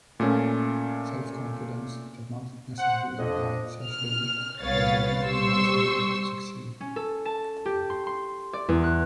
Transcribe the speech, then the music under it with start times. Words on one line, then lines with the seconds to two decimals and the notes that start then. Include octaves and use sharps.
Self-confidence does not necessarily imply "self-belief" or a belief in one's ability to succeed.
0.20 A#2 A3 C#4
2.77 C5 F#5
3.18 F2 D4 D#5
3.84 F6
4.61 C2 B3 B4 C#5 F5 A6
5.23 G3 C5 C6 C#6 E6
6.81 C#4
6.96 A4
7.25 A5
7.66 G4
7.90 C6
8.07 C6
8.53 D5
8.68 E2
8.84 F#6